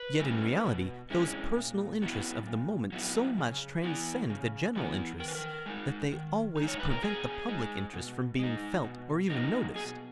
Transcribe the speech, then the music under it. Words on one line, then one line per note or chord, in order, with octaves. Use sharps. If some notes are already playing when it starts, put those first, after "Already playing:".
Yet in reality those personal interests of the moment so much transcend the general interests that they always prevent the public interest from being felt or even noticed.
Already playing: B4
G#3 C#4 E4
B2
G#3 C#4 E4
A#2
F#3 B3 E4
A#2
F#3 B3 E4
C#3
E3 B3 E4
C#3
E3 B3 E4
D#3 A#4
B4
A#4
G#3 D#4
D#3
G#3 D#4
C#5
B4
A#4
B2 G#4
G#3 D#4
B2
G#3 D#4
B2
F#3 A#3 D#4
B2 G#4